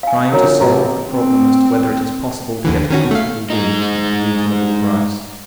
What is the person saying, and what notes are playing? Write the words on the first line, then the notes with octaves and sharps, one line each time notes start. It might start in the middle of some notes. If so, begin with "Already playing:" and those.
"Trying to solve the problem as to whether it is possible to get comfortable rooms at a reasonable price."
F5 G#5
D3 F#3 C#4 A#4 C#5 A#5
F3
A1 F#3 F4 A#5
C4
D#2 D3 E3
D#3 C#4 F#4
A3 F5
G#3 D#4